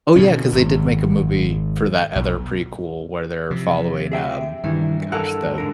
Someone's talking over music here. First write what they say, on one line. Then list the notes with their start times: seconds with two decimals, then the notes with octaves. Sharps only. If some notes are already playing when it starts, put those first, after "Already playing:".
Oh, yeah, 'cause they did make a movie for that other prequel where they're following, um, gosh, the
0.16 B2 D3 C#4
0.52 G#1
2.16 B1
3.51 C3 F3
4.12 G#4 E5 G5
4.64 C2 G2 D#3 E3 E5
5.12 A4 A#4 F#5 A5 E6 F#6
5.58 G#2 D3 A#4